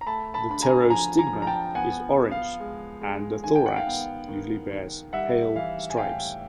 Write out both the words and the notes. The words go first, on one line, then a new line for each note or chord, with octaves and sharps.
The pterostigma is orange and the thorax usually bears pale stripes.
A#5
A3 A5 B5
A5 B5
D3 B5
G#5 A#5
F3 G#5 A#5
G#5 A#5
F3
A#5
G5 A5
B3 F#5 G#5
B3
F5
G#3
G#3
D#3 G#5
G5
F#5
F5 G5
B3
D#3
D#3
G3 E5 F#5
E3 F5
G#5
A2 F5 G5